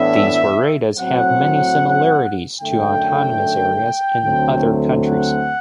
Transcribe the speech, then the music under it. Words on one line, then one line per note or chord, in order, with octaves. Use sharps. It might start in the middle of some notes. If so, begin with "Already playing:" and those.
These "woredas" have many similarities to autonomous areas in other countries.
Already playing: A2 E3 B3 D4 E5
A2 F#3 C4 F#5
F#2 D3 A3 G5
D2 D3 F#3 A3 C4
F#5